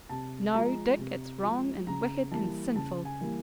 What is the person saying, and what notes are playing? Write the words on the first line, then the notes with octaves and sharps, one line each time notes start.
No, Dick, it's wrong and wicked and sinful.
C3 A5
F3 G#3 A#5
C3
F3 G#3
C#3 A#5
E3 G3 A#3 A5
C#3 A5
G#5
E3 G3 A#3